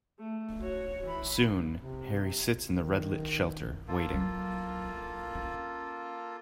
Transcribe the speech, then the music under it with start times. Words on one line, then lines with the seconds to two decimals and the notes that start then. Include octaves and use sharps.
Soon, Harry sits in the red lit shelter, waiting.
0.19 A3
0.60 F#4 C#5
1.04 E3 B5
1.80 C3
2.76 D#3
3.88 A#3 F4 A4
4.14 F#3
5.35 C#4